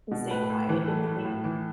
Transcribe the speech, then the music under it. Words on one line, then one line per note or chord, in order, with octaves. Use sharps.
and staying quiet, and I think,
B2
A2 B4
A2
E3
A3
A2
A2
E3